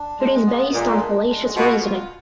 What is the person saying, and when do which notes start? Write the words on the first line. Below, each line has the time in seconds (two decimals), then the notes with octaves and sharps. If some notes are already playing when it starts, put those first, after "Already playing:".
It is based on fallacious reasoning.
Already playing: D4
0.19 G#3
0.46 B3
0.74 A#2 G#3
1.01 D4
1.29 G#3
1.56 B2 F4
1.84 F4